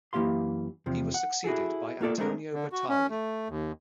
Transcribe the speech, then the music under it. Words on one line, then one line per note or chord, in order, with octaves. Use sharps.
He was succeeded by Antonio Bertali.
F#2 E3 A#3 G4 F5 C6
E2 C3 F3
F#5
E4 F#4 G#4 A4
A#3 F4 A4 D5
G#3 A3 C4 D4 G#4 A#4
D3
F#4
C#4
A3
D#2